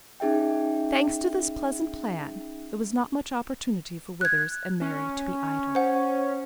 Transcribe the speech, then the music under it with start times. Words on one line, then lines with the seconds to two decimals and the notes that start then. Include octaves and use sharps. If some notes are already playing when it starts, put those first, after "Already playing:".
Thanks to this pleasant plan, there was not much opportunity for Withers and Mary to be idle. . . .
0.20 C#4 D#4 G#4 E5 G5
4.21 F#6 G#6
4.81 C#4
5.75 C5 F#5